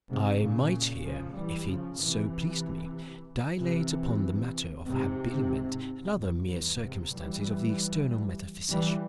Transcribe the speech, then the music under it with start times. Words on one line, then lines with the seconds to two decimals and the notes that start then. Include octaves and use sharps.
I might here--if it so pleased me--dilate upon the matter of habiliment, and other mere circumstances of the external metaphysician.
0.09 G#2 C3
0.41 A#2 C#3
1.05 C#3 F3
1.37 E3 G3
1.69 C#3 F3
2.00 C3 E3
3.59 C3 E3
4.87 G#2 C3
6.15 F2
6.46 E2 G2
6.79 G#2 C3
7.10 E3 G3
8.70 E3 G3